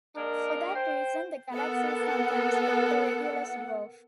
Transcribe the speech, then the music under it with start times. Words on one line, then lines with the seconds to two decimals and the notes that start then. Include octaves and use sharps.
For that reason, the galaxy is sometimes called the "Regulus Dwarf".
0.15 G#3 A#3 D4 A#4
0.75 C5 G5
1.52 B3 A4 A#4 F#5